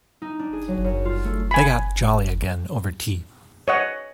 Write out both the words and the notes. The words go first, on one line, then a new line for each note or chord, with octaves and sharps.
They got jolly again over tea.
D#4
D4
G#4
F#3
F#2
F4
A3
G#5 B5
C#5 D#5 F#5